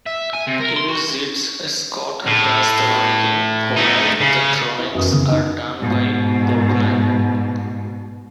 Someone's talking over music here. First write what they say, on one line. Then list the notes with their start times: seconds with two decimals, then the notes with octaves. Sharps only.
In "Zits", Scott does the writing, while the drawings are done by Borgman.
0.07 E5
0.33 G#5
0.47 C3
0.60 A#4
0.76 C6
0.88 F#4
2.27 A2
3.77 A3 D#4
4.21 C#3
4.79 E4
4.95 F#2 E3 D#6
5.12 C#3
5.28 D#4 D#5
5.80 G#2 B2